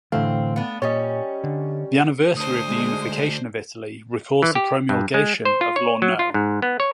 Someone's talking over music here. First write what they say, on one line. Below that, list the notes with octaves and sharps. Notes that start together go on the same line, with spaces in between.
The anniversary of the unification of Italy recalls the promulgation of law no.
A2 D3 E3 A3 C4 F5
B3 D4
A#2 G3 C#4 C#5 D#5
D3
D2 D4 C5 D#6
G#3
E3
G4
G2
G#3
C5
F4
C#5
F#3
F4
G#2
B3
C#5